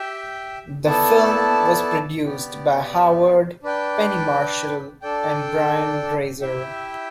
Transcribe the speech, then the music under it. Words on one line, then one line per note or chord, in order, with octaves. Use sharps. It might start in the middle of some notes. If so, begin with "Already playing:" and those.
The film was produced by Howard, Penny Marshall, and Brian Grazer.
Already playing: G4 E5 G5
B3 E4 A4 D5 A5
B3 G4 D5
D4 B4 D5 G5
D4 A4 D5 G5
E4 G4 E5 G5